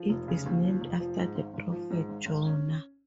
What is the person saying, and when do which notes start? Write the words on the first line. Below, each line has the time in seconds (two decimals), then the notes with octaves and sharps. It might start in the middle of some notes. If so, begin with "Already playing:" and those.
It is named after the prophet Jonah.
Already playing: F3
0.09 F1
0.28 C#3
0.46 D#2
0.64 F3
0.81 F1
1.00 F3
1.18 G#2
1.35 G#1
1.54 G#1
1.72 F3
1.90 G#2
2.09 G#1
2.26 G#1
2.45 C#4